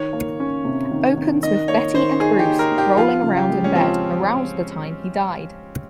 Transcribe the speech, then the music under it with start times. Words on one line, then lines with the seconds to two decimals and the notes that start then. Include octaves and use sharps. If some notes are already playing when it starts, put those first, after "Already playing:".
Opens with Betty and Bruce rolling around in bed around the time he died.
Already playing: D#3 C#5
0.13 A#3
0.40 C#4
0.65 C3
0.91 D#3
1.17 D#3
1.43 D#3 D#5
1.68 A#3 C#5
1.94 D#3 C5
2.20 D#4 G#4
2.39 G4
2.45 D#4
2.59 A#4
2.72 D#3
2.78 G4
2.97 F3 F4
3.23 C#3
3.37 G4
3.50 G#3
3.64 C#4
3.75 F3 C4